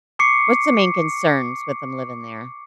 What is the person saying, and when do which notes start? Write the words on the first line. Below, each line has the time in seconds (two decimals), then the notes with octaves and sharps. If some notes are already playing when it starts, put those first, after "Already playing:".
What's the main concerns with them living there?
0.19 C#6 D6 C7 C#7